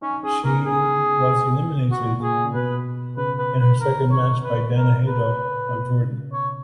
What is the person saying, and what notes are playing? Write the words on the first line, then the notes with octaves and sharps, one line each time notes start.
She was eliminated in her second match by Dana Haidar of Jordan.
C#4 D#4
C#4 G#4
B3 A#4
C#3 G#4
B2 F#4
A#2
A#2 G#4
C#3
B2 B4
C#3 B4
B4
B4
D#3 A#4
C#3 C#5
B4
A#4
B4
B2
C#3
C#5